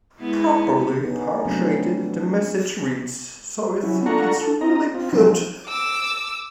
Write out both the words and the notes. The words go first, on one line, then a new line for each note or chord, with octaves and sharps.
Properly punctuated, the message reads: So you think it's really good?
G#3 B3 E4
B3 C#4 D#4
F#3 A3 C4 D4
F#3 C#4 E4
D4 F4 A4 F#5 A#5 C#6
A4
C4 D#5 A#5
C4 F4
F3 F#3 G#3 A#3 C4 D#4
D6 E6